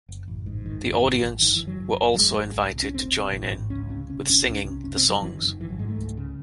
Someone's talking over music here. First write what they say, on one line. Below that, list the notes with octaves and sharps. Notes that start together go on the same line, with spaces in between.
The audience were also invited to join in with singing the songs.
F#1
A1
G#2
F#1 D#3
F#1
G#1 E3
G#1
F#1 D#3
E3
F#1
F#3
F#1
F#1
F#3
G#1 G#3
G#1
C2
C3
C#4
E1 C4
E1
A1
G#2
C#2 C#4
C3 C#4
E1 C#4
E1 C#4
C2 C#4
C3
C#4
F#1 C#4
C4
F#1
F#3
F#1 E3
D#3
F#1
D#3
G#1 E3
F#3
G#2 G#3
A3
C#2
C#3